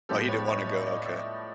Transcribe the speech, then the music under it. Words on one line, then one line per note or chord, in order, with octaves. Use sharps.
Oh, he didn't wanna go, okay.
A2 F3 G#3 B3 G4 A4
B4 C#5
C#5 D#5
C#5 D#5
D5
C#5 D#5
D5 E5